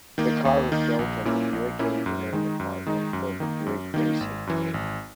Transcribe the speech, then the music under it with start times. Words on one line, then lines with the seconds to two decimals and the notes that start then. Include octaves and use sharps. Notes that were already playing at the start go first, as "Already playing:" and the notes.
The car was built in the Buick Engineering department for the Buick Racing Team.
0.18 D#3 A#3 D#4
0.45 D#2
0.72 D#3 A#3 D#4
0.99 A#1
1.25 A#2 A#3 C#4 E4
1.53 A#1
1.79 A#2 A#3 C#4 E4
2.06 F#2
2.33 D#3 G#3 D#4
2.60 F#2
2.86 D#3 G#3 D#4
3.13 F#2
3.40 D#3 A#3 D#4
3.66 F#2
3.94 D#3 A#3 D#4
4.20 G#1
4.47 F#2 E3
4.74 G#1